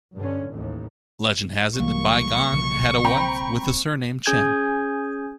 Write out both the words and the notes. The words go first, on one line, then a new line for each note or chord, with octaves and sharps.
Legend has it that Bi Gan had a wife with the surname Chen.
G2 D3 C#4
A1 D#2 A2
C2 E3 F#3 G3 A#3 C#6
B1 C#3 F3
C4 G5 A#5 B5
C#4 G#4 G#5 G6 G#6